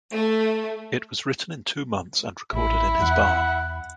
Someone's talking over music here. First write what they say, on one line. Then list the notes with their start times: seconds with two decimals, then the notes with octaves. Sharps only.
It was written in two months and recorded in his barn.
0.12 A3
2.53 A1 E4
3.02 E2 F#5